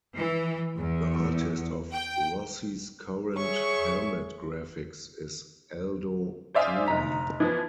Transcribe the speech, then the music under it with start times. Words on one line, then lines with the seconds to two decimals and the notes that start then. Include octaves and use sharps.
The artist of Rossi's current helmet graphics is Aldo Drudi.
0.17 E3
0.76 E2
1.92 G5
3.37 G#4 C#5 E5 C#6
6.54 C5 D5 E5 F5 G#5 D#6
6.87 F1 D#4 A#5 B6
7.40 E3 F3 B3